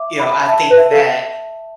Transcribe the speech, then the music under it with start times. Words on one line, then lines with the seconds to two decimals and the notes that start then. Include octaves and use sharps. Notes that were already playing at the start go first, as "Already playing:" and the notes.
you know, I think that,
Already playing: E5 D6
0.20 B5
0.48 E5 A5
0.70 B4
0.77 E5
0.91 A4